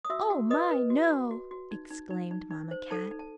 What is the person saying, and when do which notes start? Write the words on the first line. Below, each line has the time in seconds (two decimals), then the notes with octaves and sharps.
"Oh, my, no!" exclaimed Mamma Cat.
0.05 D#6
0.10 F#4 E5 E6
0.30 F#4
0.50 B4 D#5 D#6
0.71 B4
0.90 F#4
1.10 F#4
1.31 F#4
1.51 F#4
1.71 D#4
1.91 D#4
2.10 D#4
2.31 D#4
2.51 D#4
2.71 C5
2.91 D#4 A4 A5
3.11 D#4
3.19 A5